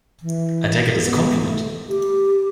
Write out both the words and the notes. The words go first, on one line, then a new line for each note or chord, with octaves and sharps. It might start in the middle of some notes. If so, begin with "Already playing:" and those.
I take it as a compliment.
E3
B3
A3
G4